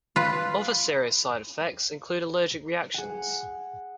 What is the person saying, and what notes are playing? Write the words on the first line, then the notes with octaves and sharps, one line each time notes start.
Other serious side effects include allergic reactions.
F4 B4
G#4 F#5